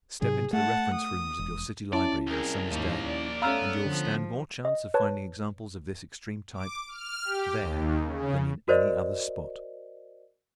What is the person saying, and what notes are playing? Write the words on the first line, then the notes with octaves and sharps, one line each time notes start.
Step into the reference rooms of your city library on a summer's day and you will stand more chance of finding examples of this extreme type there than in any other spot.
G#2 C3 F#3 G#4
A3 F#5 A5
D#6
E1
C#4 E4 D5 A5
C2 G#4 A#4
D#2 G#2 F3 A#3
D5
A3 B3 C#4 F5 A#5 E6 F6
D3 F3
D#5
B4 C#5 A5
D6
F6
G4
D#2
C#3
F#4 A#4 C5 D5 D#5